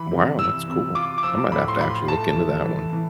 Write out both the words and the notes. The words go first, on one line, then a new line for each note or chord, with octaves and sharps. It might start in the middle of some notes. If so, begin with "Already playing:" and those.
Wow, that's cool. I might have to actually look into that one.
Already playing: E3 B5
C3
E3 E6
C3
F4 D6
D6
F3 E6
A2 B5
C6
F4 B5
A3 A5
E3
E3
E3